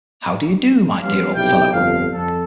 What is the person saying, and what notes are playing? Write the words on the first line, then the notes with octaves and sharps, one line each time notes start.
How do you do, my dear old fellow?
F3 G3 B3 C#4 F4 F5
B1 C3 E4 G4 D5 G5
G1 F2 D3 F3 F5
F2 A4